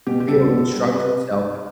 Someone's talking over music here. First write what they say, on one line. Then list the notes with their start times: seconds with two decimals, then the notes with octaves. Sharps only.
real destruction. So
0.07 B2 G4
0.20 G4
0.28 G3 A4
0.51 B2
0.72 G3
0.94 C3 B4